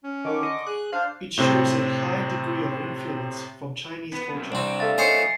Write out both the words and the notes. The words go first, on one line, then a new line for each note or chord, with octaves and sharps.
It shows a high degree of influence from Chinese culture.
C#4
D3 D#3 C#6 D6
D#5
G#4 F#6
D4 C5 F5
A2 C3 C4
B3
F#2 C3
C2 C4 D4 G4
A4 E5 F5 A6
D#3 A3 C5 C#5 D#5 G#5 C7 C#7